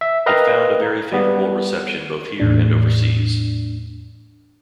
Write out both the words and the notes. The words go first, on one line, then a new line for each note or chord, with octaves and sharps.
It found a very favourable reception both here and overseas.
E5
A#4 B4 D#5 F5 G5 A#5
G3 B3
E2 A2 D4